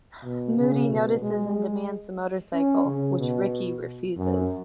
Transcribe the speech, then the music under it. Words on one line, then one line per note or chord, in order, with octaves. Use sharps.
Moody notices and demands the motorcycle, which Ricky refuses.
B2
C#3
B2
G#3
G#3
C#4
C#3
B2
F#2